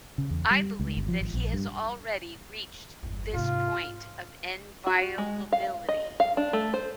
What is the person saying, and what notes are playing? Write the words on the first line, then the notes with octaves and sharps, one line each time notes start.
I believe that he has already reached this point of inviolability.
C#3
E2
G3
C#2
G1
F3
G#1
A#1
G2
G1 E2
G#2 C3 F4
F#4
G#3
F5
D#5
F5
D4
A3
C5